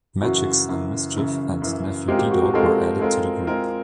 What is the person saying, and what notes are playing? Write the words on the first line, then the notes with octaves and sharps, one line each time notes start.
Magic's son Mischief and nephew D-Dog were added to the group.
F#2 C#3 E3 F#4
F#2 C#3 E3
F#2 C#3 E3
F#2 C#3 E3
G#3 C4 F4 G4 A#4
G4
F#4
G4
G#3 C4 F4 A4 A#4
G#3 C4 F4 A4 A#4
G#3 C4 F4 A#4